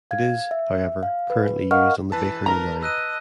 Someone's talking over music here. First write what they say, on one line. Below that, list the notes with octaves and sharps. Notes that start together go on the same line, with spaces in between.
It is, however, currently used on the Bakerloo line.
F5 G#6
E5
F5
B4
A#4 D#5 F5 F#5 C#6 F6
E3 B4 A5
A#4 A#5
D#5 E6 F#6 D#7